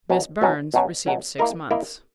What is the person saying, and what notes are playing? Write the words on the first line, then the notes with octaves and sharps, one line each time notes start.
Miss Burns received six months.
B2 F#3 C#4
B2 F#3 C#4
B2 F#3 C#4
B2 F#3 C#4
A#3 E4 A#4 D#5
A#3 E4 A#4 D#5